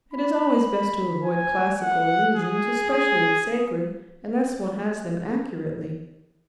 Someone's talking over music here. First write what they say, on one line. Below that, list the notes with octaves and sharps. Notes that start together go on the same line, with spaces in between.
It is always best to avoid classical allusions, especially if sacred, unless one has them accurately.
B5
G#5
F#5
G#4
G#4